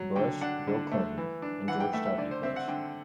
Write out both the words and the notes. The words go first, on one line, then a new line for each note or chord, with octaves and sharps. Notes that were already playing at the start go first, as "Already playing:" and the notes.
Bush, Bill Clinton and George W. Bush.
Already playing: F#3
D3 G5
D4 F#5
D3
A3
E3
D4
E3 F#5
G5
A3 E5
E5
D3 D5
C5
C4 E5
F#5
D3 G5